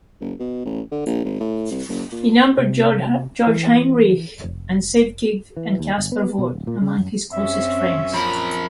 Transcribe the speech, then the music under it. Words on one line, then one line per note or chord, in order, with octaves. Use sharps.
He numbered Georg Heinrich Sieveking and Caspar Voght among his closest friends.
F#1
B2
A1
D3
A#1
G#1
A2
C2
F#1
A#2
C3
E3
F1
E3
D#2
G1
B3
B2
D1
A#2
C#3
F#2
F#2 C4 C#4 E5
F3 A#4 B5